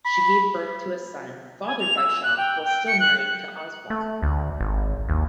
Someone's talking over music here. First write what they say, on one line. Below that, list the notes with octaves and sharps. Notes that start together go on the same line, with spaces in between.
She gave birth to a son, fathered by Shaw, while still married to Osborne.
B5
G#5
F7
E6
F#6
G5
G5
C#7
F#6
A3
D2
G#1
D#2